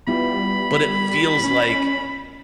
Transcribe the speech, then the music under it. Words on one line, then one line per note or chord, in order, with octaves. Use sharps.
but it feels like
G3 B3 E4 F4 B5
C#4